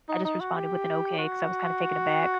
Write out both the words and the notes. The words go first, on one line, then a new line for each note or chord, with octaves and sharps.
I just responded with an okay 'cause I was kinda taken aback.
D#4
D#4
F#4
G4
F#4